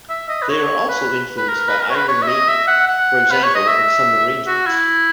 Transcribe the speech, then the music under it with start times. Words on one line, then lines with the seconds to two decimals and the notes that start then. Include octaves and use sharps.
They are also influenced by Iron Maiden; for example, in some arrangements.
0.09 E5
0.29 D#5
0.42 B4
0.49 C#5
0.89 B4
1.37 B4
1.48 A#4
1.68 B4
1.81 A#4
1.90 C#5
1.95 B4
2.08 C#5
2.23 E5
2.28 D#5
2.49 E5
2.68 F#5
2.88 F#5
3.31 B4
3.43 C#5
3.55 D#5
3.67 E5
4.47 F#4
4.67 E4